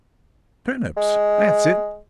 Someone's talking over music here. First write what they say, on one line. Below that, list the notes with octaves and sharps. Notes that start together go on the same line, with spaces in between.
Turnips! that's it!
G#3